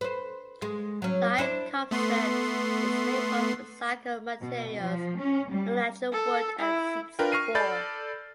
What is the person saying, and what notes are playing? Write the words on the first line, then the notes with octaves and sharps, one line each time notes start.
Life concept is made from recycle materials and natural wood and seats four.
B4 C5
G#3
F#3 C#4
D4 E4 C5
A3 B3 C6
B2
F3
C#4
G3
A4
E4
D4 F4 A#4 B4 G5
C#6 F6 A#6 C7 D#7
A4 D5 B5 G6 A6